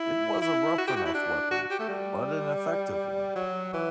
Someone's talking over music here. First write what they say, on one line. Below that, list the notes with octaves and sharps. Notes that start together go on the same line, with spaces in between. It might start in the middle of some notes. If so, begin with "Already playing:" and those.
It was a rough enough weapon, but an effective one.
Already playing: E4
E4
F#4
G4
F#4
E4
D4
F#4
G4
A3
G3
F#3
E3